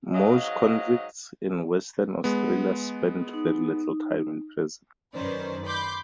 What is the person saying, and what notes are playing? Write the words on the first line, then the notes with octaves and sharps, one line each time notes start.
Most convicts in Western Australia spent very little time in prison.
G#2 F#3 D#5 F5
G#3 B3
D#4
F#2 D#3 C#4 B4 C5 D5
B5 C6 D6 G6